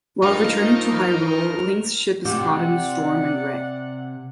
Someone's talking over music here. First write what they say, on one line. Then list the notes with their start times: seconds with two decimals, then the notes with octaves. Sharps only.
While returning to Hyrule, Link's ship is caught in a storm and wrecked.
0.22 G2 D#4 F4 A#4 C5 F5 F6
2.25 C3 G4 D5 F#5